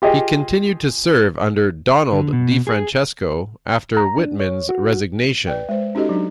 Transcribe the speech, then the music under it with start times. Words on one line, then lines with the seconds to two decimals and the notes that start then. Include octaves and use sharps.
He continued to serve under Donald DiFrancesco after Whitman's resignation.
0.02 F4 G4 G#4 D#5
2.12 D3
2.33 B2
2.67 G#4
3.97 A#5
4.18 D4
4.40 C#5
4.69 F#4
5.47 B4 D5 G5
5.69 G#3 C5
5.95 C#4 D#4 F#4 G4 A4 D#5
6.09 F#3 D4 D#4